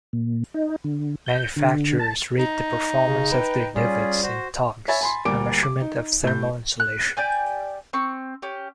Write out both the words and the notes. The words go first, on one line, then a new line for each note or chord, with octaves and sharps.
Manufacturers rate the performance of their duvets in togs, a measurement of thermal insulation.
A#2
D#4
D3
G6
D3
A5
D#4
C#3
B4 G5
G3 C#4 F4 G#4
F#4 C5
C#5 E5 G#5 B5 A6
G#5 B5 C6
D2 G3 A#3 D6 D7
D6
D#4
A2 G6
F#6
G4 D5 G5 G#5
C4 C#6
C#4 G4